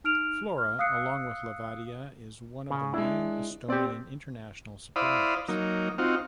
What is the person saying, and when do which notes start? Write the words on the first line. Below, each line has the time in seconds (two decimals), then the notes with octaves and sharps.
Flora, along with Levadia, is one of the main Estonian international suppliers.
0.04 D#4 F6 D7 F7
0.58 F6
0.79 F5 D#6 E6 F#6 C7 C#7
2.70 C#3
2.94 G#3 D4 E4
3.69 B3 C4 G4 D5
4.96 E4 C5 D5 F5 B5 D#6
5.48 F#3 A#3 D#4
5.98 C4 D#4 F4 F#4